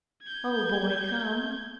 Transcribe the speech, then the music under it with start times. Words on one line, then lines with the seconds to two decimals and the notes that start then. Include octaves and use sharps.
Oh, Boy--come!
0.23 G6 G#6